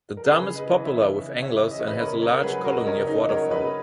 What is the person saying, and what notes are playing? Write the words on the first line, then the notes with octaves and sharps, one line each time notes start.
The dam is popular with anglers and has a large colony of waterfowl.
A#4
C#3 G#4 B4
B4 D#5
E3
C#5 E5
C#3
C#5 E5
E3
D#5
C#5
B4 D#5
C#3 A#4 C#5
A#4 C#5
F#3 G#4 B4
F#4 A#4
D#5
C#3 A#4 C#5
D#4
F#3 A#4 C#5
B4 D#5